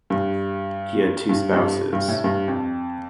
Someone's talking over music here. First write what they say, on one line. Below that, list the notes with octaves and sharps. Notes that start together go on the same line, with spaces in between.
He had two spouses.
G2
G2
G2
G2
A2
G2
F2